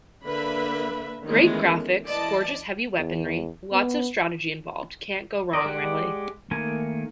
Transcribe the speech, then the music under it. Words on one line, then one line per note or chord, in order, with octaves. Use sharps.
Great graphics, gorgeous heavy weaponry, lots of strategy involved - can't go wrong really.
D3 A#3 B4 E5 B5
D#3 E3 G#3 A3 B3 C#4
E3 D5 D#5 A5
E2
B3
A#4 C5 D5 D#5
G#3 G4 D5 F#5
D#3 A3 A#3 G#5